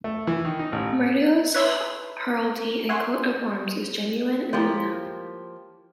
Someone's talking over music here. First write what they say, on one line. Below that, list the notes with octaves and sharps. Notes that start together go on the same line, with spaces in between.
Medeiros heraldry and coat of arms is genuine and well known.
A3
E3
D#3
D#4
A1
B4 C#5 E5 B5 C6
E5 F#5 G#5 C6 C#6 F#6
F3 A#3 E4 G4 C#5